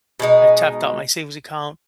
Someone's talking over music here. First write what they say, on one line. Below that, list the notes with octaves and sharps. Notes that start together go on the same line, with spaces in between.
I tapped out my savings account,
B2 G#3 D#4